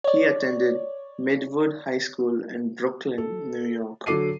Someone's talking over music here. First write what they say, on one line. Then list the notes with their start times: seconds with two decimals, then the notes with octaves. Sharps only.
He attended Midwood High School in Brooklyn, New York.
0.04 C#5 D5
3.18 A4
4.06 D3 F#3 A4 D6 C7 D#7